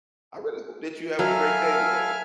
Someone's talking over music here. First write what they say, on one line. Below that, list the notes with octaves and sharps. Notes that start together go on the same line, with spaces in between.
I really hope that you have a great day today.
F#3 A4 E5 F5 G#5 B5 F6